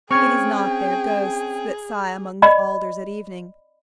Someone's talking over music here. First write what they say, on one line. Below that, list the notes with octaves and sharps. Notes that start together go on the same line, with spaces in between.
It is not their ghosts that sigh among the alders at evening.
C4 C#4 G#4 G5 C#6 F6 G#6
D5 D#5 B5